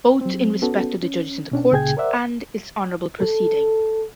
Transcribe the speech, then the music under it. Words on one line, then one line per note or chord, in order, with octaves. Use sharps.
Both in respect of the judges in the court and its honourable proceeding.
F#3 C4
B3 C#4 F#4 A4
C#4
B2 C#4 D4
C#2 A#2 C#3 G#4 G5 G#6
A#4 C5 D5 E5 F#5
A4